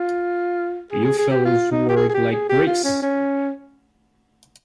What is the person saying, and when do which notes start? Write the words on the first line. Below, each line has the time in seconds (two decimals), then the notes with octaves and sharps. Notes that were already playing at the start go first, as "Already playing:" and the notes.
You fellows worked like bricks.
Already playing: F4
0.91 G#4
1.05 G#4
1.18 G#4
1.31 G4
1.45 F4
1.71 D#4
1.89 G4
1.96 G#4
2.09 G#4
2.14 G4
2.32 G#4
2.49 G4
2.67 F4
2.84 C#4
3.02 C#4